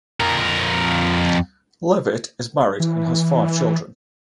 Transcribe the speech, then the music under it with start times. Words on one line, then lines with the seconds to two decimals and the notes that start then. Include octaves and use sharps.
Leavitt is married and has five children.
0.20 F2 A#4
2.80 E3